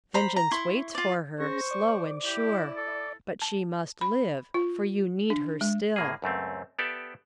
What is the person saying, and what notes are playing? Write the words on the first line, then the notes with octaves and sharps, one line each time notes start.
Vengeance waits for her, slow and sure; but she must live, for you need her still.
C5 A#5 B5
A#5
E4 C6 C#6
F4 D5
C#4 G#4 C5 C#6 A#6
D5 D6
E4 G4
A4
A5
B5
F4
D4
G#3
A2 A#3 G#4
C#2 F#2 A3 C4
B3 G4 A4 D5 E5